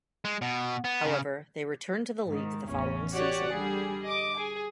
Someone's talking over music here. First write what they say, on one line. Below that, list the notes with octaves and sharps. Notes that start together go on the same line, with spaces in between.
However, they returned to the league the following season.
G#3
B2
B3
C#3
G#2 D#3
A1 E2 C#4
F#4 G4 C#5 D5 F#5
D3 G3 G#4
D#5 D6
G#4 G#5